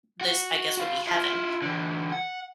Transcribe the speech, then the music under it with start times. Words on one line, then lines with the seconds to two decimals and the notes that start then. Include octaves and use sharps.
this, I guess, would be heaven.
0.21 F#4
0.77 F#4 F5
1.07 E4 F4
1.62 D3 E3
2.12 F#5